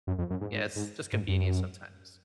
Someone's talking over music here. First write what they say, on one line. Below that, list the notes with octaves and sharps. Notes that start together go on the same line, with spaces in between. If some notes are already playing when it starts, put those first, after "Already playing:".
yeah, it's just convenient sometimes.
F#2
F2
F#2
G#2
G#2
G#2
G#2
F#2